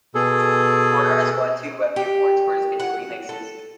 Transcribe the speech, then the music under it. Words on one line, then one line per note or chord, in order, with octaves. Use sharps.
Porter has won two Webby Awards for his video remixes.
B2 G#4 A4
G4
F#5
A4